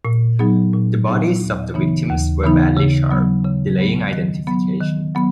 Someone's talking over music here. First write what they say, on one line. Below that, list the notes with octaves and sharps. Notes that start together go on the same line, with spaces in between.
The bodies of the victims were badly charred, delaying identification.
A#2
F#3 B3 D#4 G#4
A#2
F#3 B3 D#4 G#4
D#2
C#3 E3 B3 D#4
D#2
C#3 E3 B3 D#4
C#3
F#3 B3
C#3
F#3 B3
D#3
F#3 B3
D#3
F#3 B3